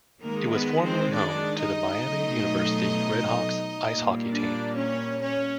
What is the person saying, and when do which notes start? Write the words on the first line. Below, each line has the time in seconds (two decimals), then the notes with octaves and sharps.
It was formerly home to the Miami University RedHawks ice hockey team.
0.22 D#3 G#3 A#3 A#4
0.53 B3 B4
0.84 C4 C5
1.13 D4 D5
1.58 D#4 D#5
2.04 B2 F#3 A3
3.86 A#2 G3 A#3
4.31 D4 D5
4.76 C#4 C#5
5.21 C#4 C#5